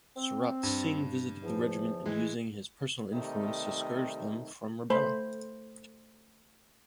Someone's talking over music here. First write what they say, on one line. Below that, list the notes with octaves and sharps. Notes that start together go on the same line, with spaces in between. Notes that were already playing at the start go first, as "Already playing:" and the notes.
Surat Singh visited the regiment and using his personal influence discouraged them from rebelling.
C4
G2
E2 F3
E3 G#3
C3 D#3 G3 A3 D#4
A3 C5 B5